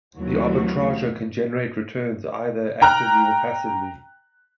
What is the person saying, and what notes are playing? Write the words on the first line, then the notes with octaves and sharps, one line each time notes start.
The arbitrageur can generate returns either actively or passively.
D#2 E3 F#3 A3 C4 F#4
G5 A#5 F6 F#6